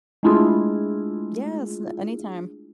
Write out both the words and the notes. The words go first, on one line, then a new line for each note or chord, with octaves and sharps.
Yes. Na anytime.
G#3 A3 D4 E4 F4 G#4